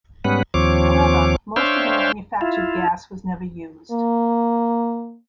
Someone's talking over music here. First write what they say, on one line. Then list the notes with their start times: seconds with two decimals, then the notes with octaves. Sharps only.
However, most of the manufactured gas was never used.
0.25 G#2 G3 B3 C#4 B4 F#5
0.54 D#2 F3 C4 C#5 D6
1.56 D4 C5 C#5 E5 F5 G5
2.41 E4 F4
3.92 A#3